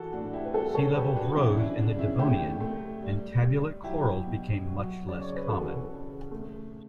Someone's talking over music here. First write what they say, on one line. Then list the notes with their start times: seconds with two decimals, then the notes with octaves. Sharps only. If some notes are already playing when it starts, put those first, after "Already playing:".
Sea levels rose in the Devonian, and tabulate corals became much less common.
Already playing: E3 F#4 A4
0.13 A2 D4 F#4
0.33 E4 G4
0.45 B4
0.54 G3 F#4 A4
0.75 A4 C#5
0.95 G3 G4 B4
1.16 D4 F#4
1.36 E3 C#4 E4
1.53 E4
1.57 D4
1.78 C#3 D4
1.99 C#4 E4
2.19 A3 E4 G4
2.60 A3
3.02 G3
3.43 G3
3.84 F#3 E4 G4
4.26 B2
4.67 F#3
5.09 C#3 D5
5.21 C#5
5.36 B4
5.49 E3 F#4 A4
5.91 C#3
6.31 A3